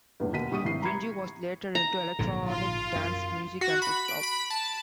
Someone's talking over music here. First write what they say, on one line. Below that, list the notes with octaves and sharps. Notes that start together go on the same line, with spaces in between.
Junji was later into Electronic dance music and Trip hop.
F1 E2 G2
D#2 B2 B6 D#7
A#1 G3 C#6 D#6 D#7
G#1 C3 E4 C7
A#5 B5 C#6 G#6 C#7
A#5
A#1 G#2 D3
F4
F#2
F#4
B5
D7
B5
A5